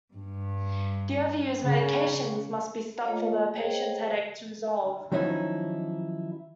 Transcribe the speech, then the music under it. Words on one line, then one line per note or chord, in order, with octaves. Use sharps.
The overused medications must be stopped for the patient's headache to resolve.
G2
C#3
A3 A#3 F4 A4 C#5 D#5
G#4 C5 C#5 D#5 G5
D#3 F3 F#3 C#4 D#4 E4